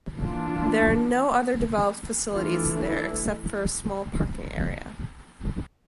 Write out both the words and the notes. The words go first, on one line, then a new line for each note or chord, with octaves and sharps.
There are no other developed facilities there except for a small parking area.
E3 A#3 D4 F4
E3 A3 D4 F4
E4